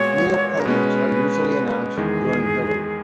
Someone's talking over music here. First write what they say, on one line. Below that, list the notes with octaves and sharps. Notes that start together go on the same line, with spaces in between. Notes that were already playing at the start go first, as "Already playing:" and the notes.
New appointments are usually announced during Hilary.
Already playing: A#2 G#3 B3 F#4 C#5
A#4
B2 G#3 C#4 B4
E2 D#3 G#3 G#4